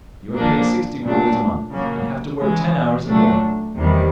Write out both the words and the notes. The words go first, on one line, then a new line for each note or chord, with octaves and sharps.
You are paid sixty rubles a month, and have to work ten hours and more....
A#2 F3 A#3 D4
A#2 F#3 A3 D4
C#3 F#3 A#3
C#3 E3 G#3
A#2 F#3 A3 D4
E2 C3 D#3 G3